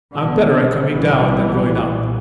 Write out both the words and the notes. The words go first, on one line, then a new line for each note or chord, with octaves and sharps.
"I'm better at coming down than going up."
B1 B2 D3
B1 A#2 E3 G3
B1 A#2